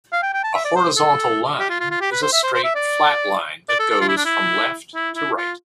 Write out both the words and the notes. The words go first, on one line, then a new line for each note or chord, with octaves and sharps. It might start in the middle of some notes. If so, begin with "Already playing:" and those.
A "horizontal line" is a straight, flat line that goes from left to right.
F5
G5
G5
A5
E5
D5
C5
A4
G4
F4
F4
F4
G4
B4
C5
E5
C5
C5
E5
D5
D5
A4
A4
F4
E4
D4
E4
E4
E4
F4